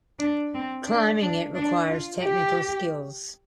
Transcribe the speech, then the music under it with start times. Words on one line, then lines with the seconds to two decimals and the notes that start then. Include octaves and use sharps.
Climbing it requires technical skills.
0.19 D4
0.54 C4
0.87 D4
1.21 D4
1.55 D4
1.89 F4
2.22 G4